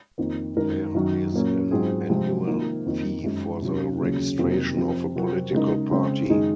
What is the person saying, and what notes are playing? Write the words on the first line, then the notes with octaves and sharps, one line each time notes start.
There is an annual fee for the registration of a political party.
F2 D#3 A#3
F#2 D#3 G#3 D#4 A#4
F#2 D#3 F#3
A#2 F#3 A#3 C#4
G#2 F#3 C4 F4 G#4
C3 F3 G#3 C4
D#3 A#3 F4
F2 D#3 A#3
F#2 D#3 G#3
C3 F#3 C#4
D#2 C#3 F#3 C#4 G#4
F2 C3 D#3 F#3 A#3
F2 C3 F3 C4
C3 F#3 C4 F#4 A#4
C#3 G#3 D#4 A#4
C#3 G#3 C4
F#2 D#3 G#3 D#4 G#4